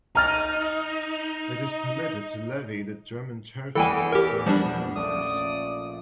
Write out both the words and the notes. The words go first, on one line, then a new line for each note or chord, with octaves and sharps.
It is permitted to levy the German church tax on its members.
D#4 A#5 F6 A6
E2 E3 A4 G5 G#5
G4 A#4
F3 G3 D4
A#1 A3 C#4 F4 D5 D#6